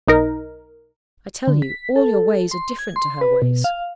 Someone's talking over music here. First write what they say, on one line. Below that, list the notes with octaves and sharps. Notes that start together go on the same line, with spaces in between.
I tell you, all your ways are different to her ways.'
B1 D#4 A#4
D3
B6
A4
C6
G#6
C6
B4
B2
F5